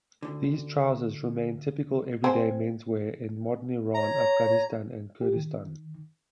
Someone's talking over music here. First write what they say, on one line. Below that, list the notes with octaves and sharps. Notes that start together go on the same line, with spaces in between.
These trousers remain typical everyday menswear in modern Iran, Afghanistan and Kurdistan.
D2 D3
C4 G#5
C#5 A#5
G4
D#3